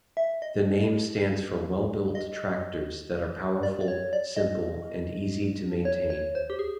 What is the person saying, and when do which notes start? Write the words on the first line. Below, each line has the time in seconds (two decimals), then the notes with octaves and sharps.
The name stands for well-built tractors that are powerful, simple and easy to maintain.
0.17 E5
0.42 D#5
2.15 D#5
3.63 D5
3.81 D5
3.88 C#5
4.13 D5
4.36 D#5
5.85 C#5
6.10 C#5
6.35 C5
6.50 G4
6.59 G#4